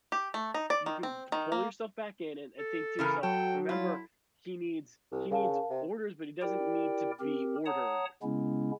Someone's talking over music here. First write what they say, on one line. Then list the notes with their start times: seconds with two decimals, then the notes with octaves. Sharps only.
you can p pull yourself back in and and think to yourself, "Remember, he needs he needs orders, but he doesn't need to be ordered."
0.12 G4
0.34 A3
0.54 D#4
0.70 D5
0.86 D#3
1.03 C4
1.32 D#3
1.52 A#3
2.59 A4
2.99 C#3 E3 A#4
3.23 F#3 A4 G5
3.69 E4 F4
5.12 C2
5.31 C#3 A#4 F5 A5
5.69 C3
6.42 E4 G4 A#4 D5 G5
7.20 C4 G4 A#4
7.66 C#5 F#5 A5 A#5 D#6
8.23 C#3 G#3 B3 C#4 E4